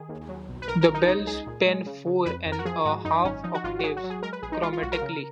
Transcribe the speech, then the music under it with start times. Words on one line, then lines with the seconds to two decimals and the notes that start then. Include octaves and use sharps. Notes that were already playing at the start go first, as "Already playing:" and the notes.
The bells span four and a half octaves chromatically.
Already playing: D#3 G#4
0.09 D#2
0.29 F#3
0.49 B1
0.62 B4
0.68 B1 A#4
0.81 A#4
0.88 B1
0.94 D#4
1.07 C#2 D#4
1.27 C#2 G#4
1.47 A#2
1.67 G#3
1.86 C#3
2.06 C#3
2.26 F2 B4
2.46 F2
2.52 A#4
2.59 F#4
2.65 F3 G#4
2.85 G#2 F#4
3.05 F#2 D#4
3.24 G#1 C#4
3.43 F3 D#4
3.54 F#4
3.64 G#1 F4
3.79 F#4
3.83 F#3 G#4
3.97 F#4
4.04 F#3
4.10 G#4
4.22 G#3 A#4
4.33 B4
4.42 A#1 G#4
4.52 D#4
4.62 G#3 F4
4.73 F4
4.82 B1 F#4
4.92 A#4
5.02 C#3